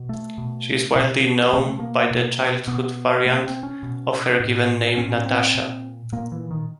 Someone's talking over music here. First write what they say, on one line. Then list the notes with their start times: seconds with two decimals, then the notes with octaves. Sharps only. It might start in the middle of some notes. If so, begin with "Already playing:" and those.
She is widely known by the childhood variant of her given name, "Natasha".
Already playing: B2
0.09 A3
0.38 B2
0.96 B2
1.53 B2 A#3
1.66 A3
1.79 A#3
2.11 B2
2.67 B2 B3
3.25 B2 A#3
3.44 C4
3.63 C#4
3.83 B2
4.40 A2
4.97 A2 C#4
5.17 C#4
5.26 C4
5.55 A#2
6.12 A#2 A#3
6.32 E3
6.51 D#3